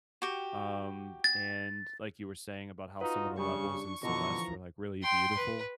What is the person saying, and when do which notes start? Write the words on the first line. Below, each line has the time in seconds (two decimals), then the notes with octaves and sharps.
um, and, like, you were saying about how some of the levels in Celeste were, like, really beautiful,
0.22 F#4 G4
1.24 A6
3.01 D#4 F4 F#4 B4
3.38 C#3 G3 D4 C#6
4.03 B2 D3 E3 F3 A#5 C#6
5.03 G5 C6
5.37 B4